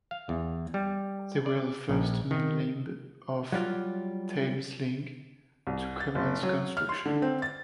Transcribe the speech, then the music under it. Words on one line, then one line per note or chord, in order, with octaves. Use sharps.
They were the first main limb of Thameslink to commence construction.
F5
E2
G3
D5
A#1
D#3
F#3 G3 F4
C2
A6
F#1
F#3
F6
C6
D3
C4
A6